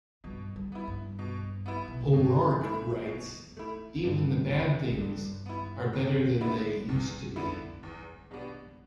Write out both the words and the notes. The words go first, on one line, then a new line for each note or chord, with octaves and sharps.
O'Rourke writes, Even the bad things are better than they used to be.
G2 B2
G3
B3 E4
G2
B2
B3 E4
B2
A2
G2 B2
A3 E4
B2
A3 E4
E2
G2 D3
E2 B3 E4
A2
G2 D3
B3 E4
E2
D3 B3 E4
A2
E2 G2
D3 B3 E4
E2
B2 G3 B3 D4